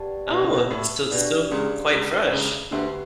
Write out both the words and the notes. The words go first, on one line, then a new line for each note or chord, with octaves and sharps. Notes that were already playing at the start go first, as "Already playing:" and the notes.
Oh, so still quite fresh.
Already playing: G4 B4 D5 F#5 A5
B2
C#3
B2
A2
B2 D4 G4 D5
C#2 C#3
C#2 C#3
C#2 C#3
D2 D3 G4 B4 F#5